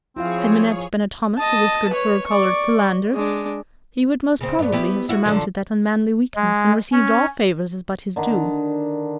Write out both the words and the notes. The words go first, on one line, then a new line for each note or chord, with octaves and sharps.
Had Minette been a Thomas, a whiskered fur-collared Philander, he would most probably have surmounted that unmanly weakness, and received all favours as but his due.
F3 C4 E4 F4 G#4 C#5 F5
D#5 A5
B4 C#5
D5 C#6
G#3 D4
C#3 C4
G2 B3
B3 E4 G4
E4 F#4
F#2 D3 F3
G#3
C#4
D3 D#3 D4